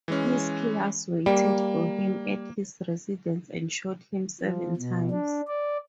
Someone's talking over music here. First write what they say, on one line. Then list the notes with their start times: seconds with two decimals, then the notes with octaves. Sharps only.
His killers waited for him at his residence and shot him seven times.
0.08 E3 G#3 C#4
1.26 G3 A#3
4.41 F3
4.77 B2
5.11 D4
5.48 D5